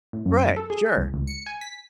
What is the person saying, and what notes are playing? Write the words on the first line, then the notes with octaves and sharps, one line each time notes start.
Right, sure.
A2
F#2
A4
G#4
C2
C#2
C#7
G#5
B6